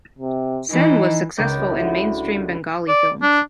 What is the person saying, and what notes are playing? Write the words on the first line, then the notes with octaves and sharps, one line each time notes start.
Sen was successful in mainstream Bengali films.
C3
E3 D#4
C#2 D#3 D#4 B4 D6 G6
F#2 E4
D3
D5
D4